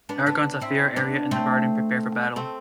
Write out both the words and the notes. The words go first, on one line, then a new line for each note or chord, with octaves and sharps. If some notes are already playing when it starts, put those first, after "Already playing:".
Eragon, Saphira, Arya, and the Varden prepare for battle.
B3 D4
B3 D4
C4 E4
B3 D4
A3 C4
A3 C4